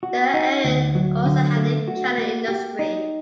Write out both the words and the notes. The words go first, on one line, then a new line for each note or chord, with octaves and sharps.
The area also had a cattle industry.
F#4
D#4
D2
F#3
D3
A3
F#4
A#3
G4
D#4